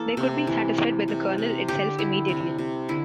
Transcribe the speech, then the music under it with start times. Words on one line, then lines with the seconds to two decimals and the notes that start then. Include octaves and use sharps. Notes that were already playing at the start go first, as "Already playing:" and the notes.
They could be satisfied by the kernel itself immediately.
Already playing: E3 A#3 A4
0.17 C3
0.47 E3
0.77 E3
1.08 C3
1.38 C3
1.68 D3 G4
1.98 D3 E4
2.28 C3
2.58 C3
2.89 D3 E4